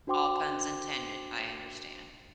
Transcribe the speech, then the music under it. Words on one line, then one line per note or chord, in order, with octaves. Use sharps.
All puns intended, I understand.
D4 F#4 C5 G5 C6 D6